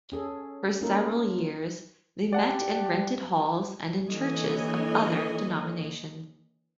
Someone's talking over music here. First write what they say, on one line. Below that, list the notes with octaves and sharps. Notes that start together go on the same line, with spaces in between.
For several years they met in rented halls and in churches of other denominations.
C#4 G#4 A4
A#3 C#4 D#4 F4 A4 A#4
G4 D5 F#5 A5
D3 E3 A#3 C#5 D#5 G#5